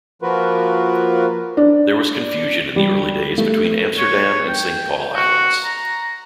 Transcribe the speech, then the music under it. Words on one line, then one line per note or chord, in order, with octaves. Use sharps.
There was confusion in the early days between Amsterdam and Saint Paul Islands.
F3 A#3 F4 F#4 A#4 B4
D4
G3
A3
C#5
G5
F#4
A#5